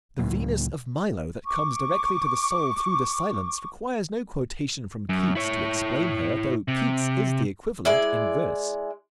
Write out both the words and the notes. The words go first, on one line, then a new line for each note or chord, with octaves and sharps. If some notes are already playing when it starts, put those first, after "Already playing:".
The Venus of Milo, that comes directly to the soul through the silence, requires no quotation from Keats to explain her, though Keats is the equivalent in verse.
C#2 A2 F#3 A#3
C#6 D6
F#2
E4 C#5
C3
G#3 E4 D5